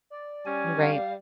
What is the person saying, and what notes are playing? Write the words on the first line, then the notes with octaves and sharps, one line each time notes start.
N right.
D5
G3 C#4 G#5
F5